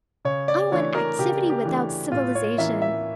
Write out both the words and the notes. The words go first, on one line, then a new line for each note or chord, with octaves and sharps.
I want activity without civilization.
C#3 C#5
D5
E3 A3 D4 C#5
A#4
C#3 G4
G4
E3 A3 D4
A2 F4
C#5
E3 A#3 C#4 E4 E5
E5